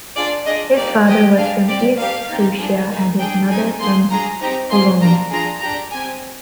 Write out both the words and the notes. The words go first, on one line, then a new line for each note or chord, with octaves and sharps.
His father was from East Prussia and his mother, from Cologne.
D4 F4 G#4 D5
D4 F4 G#4 D#5
A#3 D#4 G4 D5
C4 G4 D#5
D4 G#4 F5
C4 G4 D5
A#3 D4 G4 F5
C4 D#4 G4
D4 F4 G#4
A#3 D#4 G#4
D4 G#4 G5
C4 D#4 G#4 G#5
A#3 D4 G#4 C6
D4 F4 G#4 A#5
C4 D#4 G4 A#5
C4 F4 G#4 C6
A#3 D4 F4 A#5
D4 F4 G#4 A#5
D4 G4 A#5
C4 G4 G#5